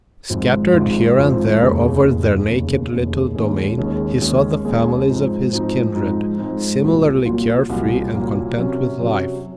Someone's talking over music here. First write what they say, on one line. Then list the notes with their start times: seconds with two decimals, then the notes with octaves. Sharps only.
Scattered here and there over their naked little domain he saw the families of his kindred, similarly care-free and content with life.
0.29 G#1 G#2 F3 C4 F4
0.74 G#1 G#2 F3 C4 F4
1.17 G#1 G#2 F3 C4 F4
1.60 F1 D#2 C#3
2.04 F1 D#2 C#3
2.47 F1 D#2 C#3
2.92 F1 D#2 C#3
3.35 D#2 D#3 G#3 C#4 G#4
3.78 D#2 D#3 G#3 C#4 G#4
4.22 D#2 D#3 G#3 C#4 G#4
4.64 D#2 D#3 G#3 C#4 G#4
5.09 G#2 F3 C4 D#4
5.51 G#2 F3 C4 D#4
5.95 G#2 F3 C4 D#4
6.38 G#2 F3 C4 D#4
6.83 C2 A#2 F#3 A#3 F4
7.26 C2 A#2 F#3 A#3 F4
7.69 C2 A#2 F#3 A#3 F4
8.13 C2 A#2 F#3 A#3 F4
8.57 C3 F#3 C#4
8.99 C3 F#3 C#4